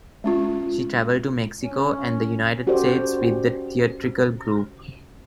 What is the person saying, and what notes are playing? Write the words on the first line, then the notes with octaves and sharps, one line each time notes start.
She traveled to Mexico and the United States with the theatrical group.
G#3 C#4 F4
C#4
C#4 F#4 G4 A4 C5 D5